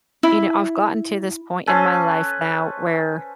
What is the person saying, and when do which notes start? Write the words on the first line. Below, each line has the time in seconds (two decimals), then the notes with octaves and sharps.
you know, I've gotten to this point in my life now where,
0.23 E4
1.67 C#4 A4 B4 C5